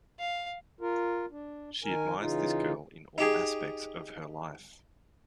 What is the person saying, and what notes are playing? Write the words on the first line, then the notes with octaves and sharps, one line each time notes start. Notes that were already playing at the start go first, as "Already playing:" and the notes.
She admires this girl in all aspects of her life.
F5
F4 A#4
D4
D#3 A#4 G#5
C#3 E3 D#4 F4
D#4 G4 G#4